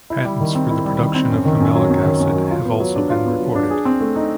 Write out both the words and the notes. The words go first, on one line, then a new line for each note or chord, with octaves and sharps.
Patents for the production of pimelic acid have also been reported.
E4
G3
D#3
C4
E4
G3
D#3
C4
F#2
D#3
F#2
F#3
F#2
D#3
F#2
F#3
F4
B3
F#3
D4
F4
B3
F#3
D4
G#4
C4
A3
D#4